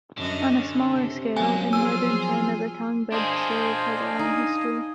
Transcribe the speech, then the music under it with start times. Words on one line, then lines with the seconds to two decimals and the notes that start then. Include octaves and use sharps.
On a smaller scale, in Northern China the Kang bed-stove has a long history.
0.17 F#2 D3 D#5
0.57 C#4
0.90 C3
1.37 F#3 G#3 A#3 B3 G#5
1.73 F3 F4 G#4 G#5 E6
3.12 D4 G#4 C5 D#5 F5 G#5
4.19 D#4 D#6